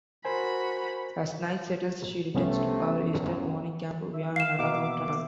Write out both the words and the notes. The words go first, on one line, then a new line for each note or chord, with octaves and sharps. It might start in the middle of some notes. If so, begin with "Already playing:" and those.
As night settles, she returns to her eastern morning camp via an underground tunnel.
F#4 A#4 C5 G#5 B5
C2 C3 A3 B3 C#4
A1 F#2
E5
F5 C7 E7
B2 A#3 F5 D6